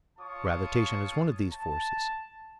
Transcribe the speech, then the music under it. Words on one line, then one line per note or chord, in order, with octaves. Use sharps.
Gravitation is one of these forces.
F4 C#5 A5 C#6 D#6
A5